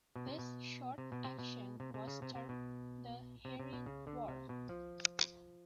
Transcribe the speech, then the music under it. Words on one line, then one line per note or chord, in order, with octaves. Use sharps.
This short action was termed 'The Herring War'.
B2
C3
B2
C3
B2
C3
B2
C3
C3
C#3
C3
C3
B2
C3
C3
B2
C#3
D3
C3
B2
F3